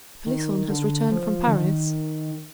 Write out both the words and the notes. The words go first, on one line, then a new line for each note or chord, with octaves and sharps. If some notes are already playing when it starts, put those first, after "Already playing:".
"Pelisson has returned from Paris."
D#3
D3
F3
D3
D#3